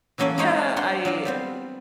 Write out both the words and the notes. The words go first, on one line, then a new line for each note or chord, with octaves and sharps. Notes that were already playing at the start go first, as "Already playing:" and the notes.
Yeah, I
E3 F#3 A#3 C#4 A4 F#5
G#3 A#3 C4 D#4 C5 C#5
D4 A#4 C5 C#5 F#5 G5
F#3 D4 F5
G3 B3 C4